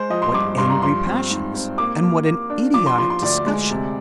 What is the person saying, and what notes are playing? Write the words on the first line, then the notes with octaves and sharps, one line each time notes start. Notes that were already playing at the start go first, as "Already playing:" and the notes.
What angry passions--and what an idiotic discussion!
Already playing: G#3 C5
F3 D#5
C6
G2 D6
G2 C6
A#5
F3 C6
C4
G#2
C4
A#3 D6
A#3
A#3
D4
F3 D6
C6
F3 C6
C6
D2 D5
G#3
C3